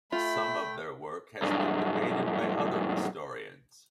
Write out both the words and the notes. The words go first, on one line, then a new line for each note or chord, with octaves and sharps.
Some of their work has been debated by other historians.
A3 F4 E5 G5 B5
B1 G2